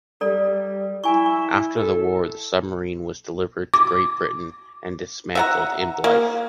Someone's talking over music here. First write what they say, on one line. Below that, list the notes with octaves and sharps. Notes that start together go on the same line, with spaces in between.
After the war, the submarine was delivered to Great Britain and dismantled in Blyth.
G3 A4 D5
E4 G#5 C#6
C#6
A4
D6
E5 F#5 A#5
A#3